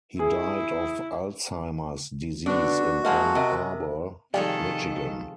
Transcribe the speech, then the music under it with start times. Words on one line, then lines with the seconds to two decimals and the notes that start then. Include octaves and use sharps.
He died of Alzheimer's disease in Ann Arbor, Michigan.
0.19 E4 G#4
2.46 D3 B3 D4 F#4 B4
3.05 F#3 G#3 A#3 E5 F#5 A5
3.35 C3 A#4 D#5 E5
4.34 C3 D#3 F3 G3 G#3 A4 C#5